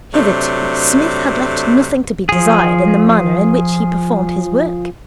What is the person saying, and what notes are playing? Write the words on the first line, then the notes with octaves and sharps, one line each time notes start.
Hitherto Psmith had left nothing to be desired in the manner in which he performed his work.
C3 F#3 A3 D4
F3 G#4